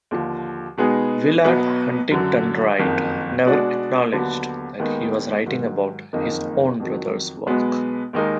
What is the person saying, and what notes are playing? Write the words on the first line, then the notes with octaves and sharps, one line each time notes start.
Willard Huntington Wright never acknowledged that he was writing about his own brother's work.
D#2 D3 F3
B2 G#3 B3 D#4 G#4
B1 B2 F#3 B3
F#2 D3 F#3
F#1 F2 D#3
B2 G#3 D4 F#4 D5
D#2 D3 F#3 B3
D#2 D#3 G#3 B3 D#4
G#2 D#3 F#3
F#1 F2 D#3 A#3 D#4
F2 D#3 F#3
B1 B2 G#3 B3
D#2 D#3 G#3 D#4 A#4